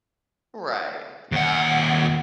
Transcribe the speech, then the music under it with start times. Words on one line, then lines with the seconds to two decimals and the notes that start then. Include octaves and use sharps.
Right, yeah.
1.32 D#2 F#5